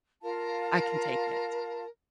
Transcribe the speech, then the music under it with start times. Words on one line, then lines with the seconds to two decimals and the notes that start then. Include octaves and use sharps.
I can take it.
0.22 F4 A#4 F5 A5